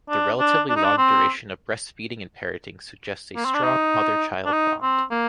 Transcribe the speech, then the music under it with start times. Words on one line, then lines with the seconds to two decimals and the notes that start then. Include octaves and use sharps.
The relatively long duration of breastfeeding and parenting suggests a strong mother-child bond.
0.10 D4
0.40 D4
0.69 D4
0.76 D#4
0.84 D4
0.98 C4
3.36 A#3
3.45 C4
3.54 D4
3.63 D#4
4.46 D4
4.53 D#4
4.82 C4
5.11 A#3